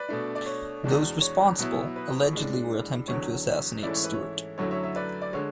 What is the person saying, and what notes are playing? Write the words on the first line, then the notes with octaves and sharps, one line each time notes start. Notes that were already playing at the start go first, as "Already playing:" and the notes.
Those responsible allegedly were attempting to assassinate Stewart.
Already playing: B4 D5
B2 A3 D4
D5
C#5
E2 B2 G#3 D4
C#5
B2 F#3 B3 E4
B4
A2 G#3 D4
E2 D3 F#3 C#5
G#2 E3 A3 C#4 E4 D5
C#5
B4
C#5
F#2 D3 F#3 A3 E4 C#5
C#5 E5
C#5 E5
B4 D5
D5
D3 G#3 C#5